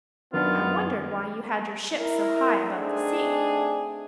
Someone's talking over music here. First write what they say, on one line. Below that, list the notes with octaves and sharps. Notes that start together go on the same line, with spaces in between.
"I wondered why you had your ship so high above the sea."
F#2 D#3 B3 D4 F4
E4 A#4
A3 C4 D4 D#4 G#4